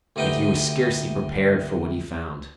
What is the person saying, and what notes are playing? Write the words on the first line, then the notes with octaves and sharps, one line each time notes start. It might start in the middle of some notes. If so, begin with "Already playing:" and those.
Yet he was scarcely prepared for what he found.
D2 C3 D#4 B4 G5